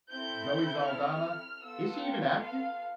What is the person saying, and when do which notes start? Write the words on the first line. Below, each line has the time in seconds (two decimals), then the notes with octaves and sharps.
Zoe Saldana, is she even acting?
0.10 C4 E4 A4 G6
0.86 F6
1.62 B3 F4 A4 E6
2.00 G5
2.39 F5